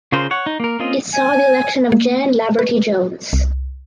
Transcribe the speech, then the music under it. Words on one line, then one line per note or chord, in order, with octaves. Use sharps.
It saw the election of Jan Laverty Jones.
C#3 F4 G#4 A#4 C5
C#5 F#5
D#4
A#3 A#4
A#3 C4 C#4 F4 D#5
G#5
A#3
B4
C2